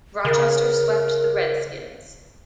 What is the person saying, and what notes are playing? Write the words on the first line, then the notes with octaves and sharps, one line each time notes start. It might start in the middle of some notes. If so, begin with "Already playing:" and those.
Rochester swept the Red Skins.
C#3 A#4